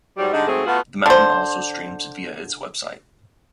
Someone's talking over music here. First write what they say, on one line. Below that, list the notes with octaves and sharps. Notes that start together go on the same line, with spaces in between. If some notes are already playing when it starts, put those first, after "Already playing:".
The Mountain also streams via its website.
G#2 F#3 G3
D3 G3 G#3 D4 D#4
G#2 F#3 A3 C4 G#4
A3 B3 F4 F#4
D3 C5